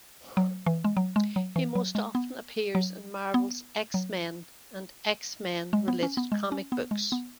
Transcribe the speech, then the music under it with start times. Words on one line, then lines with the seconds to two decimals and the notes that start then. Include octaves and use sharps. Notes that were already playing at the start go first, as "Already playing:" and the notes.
He most often appears in Marvel's "X-Men" and X-Men-related comic books.
0.37 F#3
0.66 E3
0.84 G#3
0.97 F#3
1.16 G#3
1.36 F#3
1.56 E3
1.75 F#3
1.95 G#3
2.15 B3
2.75 F#3
3.34 B3
3.94 F#3
5.73 G#3
5.88 B3
6.03 C#4
6.17 B3
6.32 G#3
6.52 C#4
6.72 B3
6.91 G#3
7.12 B3